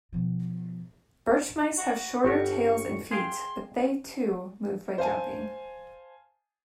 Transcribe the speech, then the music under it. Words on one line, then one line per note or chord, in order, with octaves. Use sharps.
Birch mice have shorter tails and feet, but they, too, move by jumping.
B2 F3
F#4
G1 F#4 G4 C#6
G#4 F5 G5 C6
C5 F5 G#5 A5